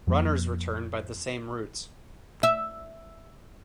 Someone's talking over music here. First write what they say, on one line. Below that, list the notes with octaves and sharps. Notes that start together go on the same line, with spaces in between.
Runners return by the same route.
F2 F3 G3 A#3
E5